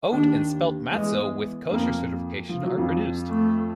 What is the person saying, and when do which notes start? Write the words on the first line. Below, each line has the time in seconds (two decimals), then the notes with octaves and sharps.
Oat and spelt matzo with kosher certification are produced.
0.12 D#2 D#3 D4
0.91 E2 E3 G#3
1.70 F2 F3 A#3
2.49 F3
2.64 F#3
2.77 F2 F3
3.29 A3